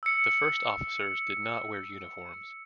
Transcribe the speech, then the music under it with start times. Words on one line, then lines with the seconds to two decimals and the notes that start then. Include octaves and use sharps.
The first officers did not wear uniforms.
0.03 E6 C#7